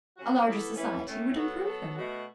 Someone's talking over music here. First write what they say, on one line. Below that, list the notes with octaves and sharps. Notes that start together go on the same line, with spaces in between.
A larger society would improve them.
F#2 F#3 C#4 F#4
E3 B3 E4 A4
E3 C#4 E4 B4
A2 A3 C#4
F#3 B3 F#4 A4
F#3 B3 A4
B2 A3 F#4